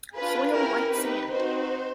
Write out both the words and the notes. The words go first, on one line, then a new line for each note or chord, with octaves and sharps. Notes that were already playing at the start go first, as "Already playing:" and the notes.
Soil white sand.
D4 F4 G#4 B4
C#4 E4 G4 A#4
C4 D#4 G4 B4
C4 D#4 F#4 C5